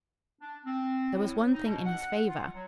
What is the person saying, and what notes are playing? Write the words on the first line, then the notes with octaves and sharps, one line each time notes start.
There was one thing in his favour.
D4
C4
A2
D#4
B2
F#5
F4
F#3